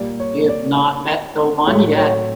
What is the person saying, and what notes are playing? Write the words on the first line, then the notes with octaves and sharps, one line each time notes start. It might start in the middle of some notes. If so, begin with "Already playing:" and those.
You’ve not met the one yet.
Already playing: A#2 G3 A#3 D5
C#5
D5
A2 F#3 A3 C#5
C#5